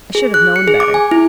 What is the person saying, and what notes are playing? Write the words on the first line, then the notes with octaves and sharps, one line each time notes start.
I should have known better.
G#4
F#6
C#7
G#4
D6
G#5
E4